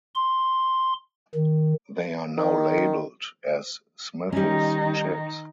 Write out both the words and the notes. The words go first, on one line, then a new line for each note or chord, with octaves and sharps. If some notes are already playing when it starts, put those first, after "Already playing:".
They are now labelled as Smith's Chips.
C6
D#3
D#3
D#3 G3 C#4 D#4